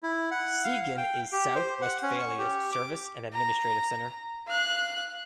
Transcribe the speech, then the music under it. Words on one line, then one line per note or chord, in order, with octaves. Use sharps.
Siegen is South Westphalia's service and administrative centre.
E4
F#5
F5
F5
G5
G4
C5
F#5
C#4
C#6
G4
D6
A#5
F5 F#6